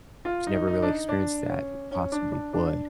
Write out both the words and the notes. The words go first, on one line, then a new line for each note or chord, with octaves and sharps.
has never really experienced that possibly would,
F4
D#4
D#4
D4
D#4
D4
C#4
C#4
D4
D4
D4